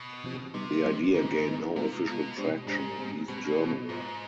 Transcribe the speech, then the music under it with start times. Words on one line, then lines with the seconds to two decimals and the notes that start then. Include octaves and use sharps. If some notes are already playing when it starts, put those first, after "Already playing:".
The idea gained no official traction in East Germany.
Already playing: B2
0.24 C3 F3 C4 G4
0.54 C3 G3 B3 D#4
0.84 G3 B3 D#4
1.14 G#2 D#3 B3 D#4 B4
1.45 D#3 B3 D#4 B4
1.76 C3 G#3 B3 F4
2.06 B2 G#3 B3 F4
2.37 G#3 D4 G4 C5
2.67 G#2 G#3 D4 G4 C5
2.98 G#3 C4 G4
3.28 B2 G#3 C4 G4
3.58 B3 F4 C5 D#5
3.89 G#2 B3 F4 C5 D#5